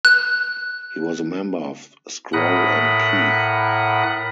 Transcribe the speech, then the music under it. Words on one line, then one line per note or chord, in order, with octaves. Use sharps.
He was a member of Scroll and Key.
F#6
A2 A#4 F#5 B5 D#6 F#6